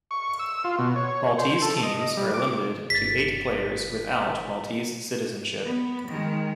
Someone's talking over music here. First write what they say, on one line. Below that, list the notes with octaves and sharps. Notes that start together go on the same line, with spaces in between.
Maltese teams are limited to eight players without Maltese citizenship.
C#6
E6
F4
B2
C#5
C5
A4
D#5
G3
D6
G1 A6 B6
B3
D#3 G#3